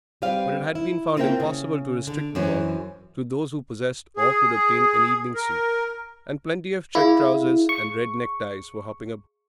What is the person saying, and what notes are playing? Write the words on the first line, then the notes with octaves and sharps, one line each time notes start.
But it had been found impossible to restrict the ball to those who possessed or could obtain an evening suit, and plenty of check trousers and red neckties were hopping about.
G3 C4 B4 F5
E4
A#3 C4 F4 A#4 E5 G5
C#3
D3
F#2 E3 C#4 C5
G#4
A#4
E4 G#4 F5 B5
C#6